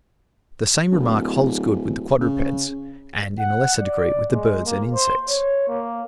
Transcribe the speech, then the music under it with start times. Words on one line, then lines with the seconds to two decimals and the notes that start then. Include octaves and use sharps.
The same remark holds good with the quadrupeds, and in a lesser degree with the birds and insects.
0.92 D1
2.21 C#3
3.39 F#5
3.79 D5
4.32 G#3
4.66 A#3
4.94 C5
5.29 C#5
5.68 A#3